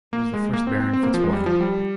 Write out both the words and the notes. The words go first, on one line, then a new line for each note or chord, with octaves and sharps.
He was the first Baron FitzWilliam.
A#3
G#3
A#3
C4
C4
C4
A#3
F3
G#3
G3
F3
G3